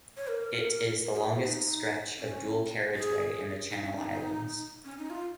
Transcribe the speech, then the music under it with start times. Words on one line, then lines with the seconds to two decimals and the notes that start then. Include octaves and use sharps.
It is the longest stretch of dual carriageway in the Channel Islands.
0.17 C#5
0.27 A#4
1.04 A#4
1.13 F4
1.16 G#4
1.29 F4
1.41 D#4
2.19 C#4
2.95 G#4
3.70 D#4
3.83 C#4
3.96 D#4
4.08 D#4
4.85 C#4
4.98 D#4
5.10 F4